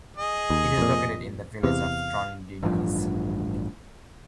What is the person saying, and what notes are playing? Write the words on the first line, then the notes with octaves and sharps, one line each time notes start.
It is located in the village of Trondenes.
G#4 D#5
D#2
F2 A#2
E2 C3 F5
A1 G2 F3